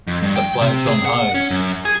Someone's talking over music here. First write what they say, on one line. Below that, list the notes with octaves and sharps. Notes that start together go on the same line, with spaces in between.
The flags on high!
F2
G2
G5
C3
G#4
F#5
C#4
F#2
G#4